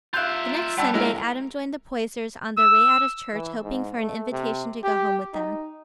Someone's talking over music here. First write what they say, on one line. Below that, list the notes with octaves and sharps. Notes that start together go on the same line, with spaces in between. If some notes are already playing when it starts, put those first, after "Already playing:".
THE next Sunday Adam joined the Poysers on their way out of church, hoping for an invitation to go home with them.
F4 E5 F5 F#6 G6
G3 F#5 A5 E6
F#3 G#3 A3 E4 A#4
E6
E3
G#2
A3
C3
G4
D#4